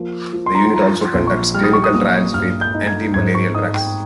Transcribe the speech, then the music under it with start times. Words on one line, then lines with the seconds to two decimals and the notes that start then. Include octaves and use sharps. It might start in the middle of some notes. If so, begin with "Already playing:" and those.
The unit also conducts clinical trials with antimalarial drugs.
Already playing: F3 A#3
0.33 F3
0.46 C6
0.55 A#5
0.64 C6
0.74 F3 A#5
1.01 C6
1.14 A#1
1.27 C#6
1.55 G3 F6
1.63 D#6
1.73 C#6
1.84 D#6
1.94 A#2 D#6
2.34 G2 F6
2.61 G6
2.74 D#4
2.87 G#6
3.14 G#2 G#6
3.35 C#6
3.55 D#4 D#6
3.74 G5